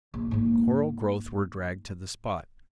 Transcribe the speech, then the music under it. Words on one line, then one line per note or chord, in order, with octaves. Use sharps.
Coral growth were dragged to the spot.
A#1
G#2 A#3